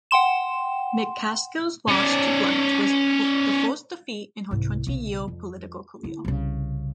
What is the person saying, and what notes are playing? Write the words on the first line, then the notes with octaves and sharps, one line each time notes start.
McCaskill's loss to Blunt was the first defeat in her twenty-year political career.
F#5 G5 C6 E7
C#4 D5
C2 G#2
B1 C#3
F2
D3 E4
C2 C#3